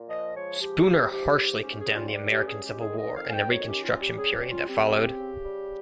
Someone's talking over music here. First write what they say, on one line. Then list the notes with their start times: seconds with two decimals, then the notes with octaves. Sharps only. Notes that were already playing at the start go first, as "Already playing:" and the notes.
Spooner harshly condemned the American Civil War and the Reconstruction period that followed.
Already playing: A#2
0.08 F3 D#5
0.34 G#3 C#5
0.59 F3 G4
0.85 F3
1.10 G#2 G4
1.36 G#2
1.62 C#4 G4
1.79 G#4
1.87 G3
1.95 F4
2.07 F4
2.12 G2 G4
2.30 G4
2.38 C#4
2.47 G#4
2.63 G#3 G4
2.80 G#4
2.89 D#3
2.97 D#5
3.14 F2 F5
3.28 G#5
3.32 G5
3.40 D#3
3.49 C#5
3.66 C#4 G4
3.82 F4
3.91 G3
3.99 G4
4.17 C#4 G#4
4.33 G4
4.41 G3
4.50 F4
4.67 C4 G4
4.93 C#3
5.18 C#3
5.44 G3